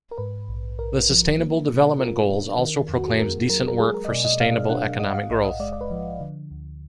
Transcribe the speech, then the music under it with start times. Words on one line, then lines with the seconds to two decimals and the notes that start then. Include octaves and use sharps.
The Sustainable Development Goals also proclaims decent work for sustainable economic growth.
0.11 A#4
0.18 G#2 B4
0.48 A#1
0.79 A#1 A#4
1.09 F3
1.39 A#3
1.69 B2
1.99 F4 A#4
2.29 D4
2.59 D#3
2.89 F2
2.98 F#4
3.08 G#4
3.19 A#3 A#4
3.50 F#3 A#4
3.68 A#4
3.79 G#3 G#4
3.94 A#4
4.05 D#5
4.09 B2 D5
4.24 D#5
4.40 B2 F5
4.69 D4 F#5
5.00 G#2 D#5
5.09 F#5
5.14 F5
5.30 A#1 D#5
5.45 D#5
5.60 G#3 D5
5.72 D5
5.81 B4
5.91 F3
6.20 D3
6.51 D2